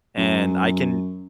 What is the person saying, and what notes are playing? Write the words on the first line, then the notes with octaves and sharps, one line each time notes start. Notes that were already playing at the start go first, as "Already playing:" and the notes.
And I can
F#2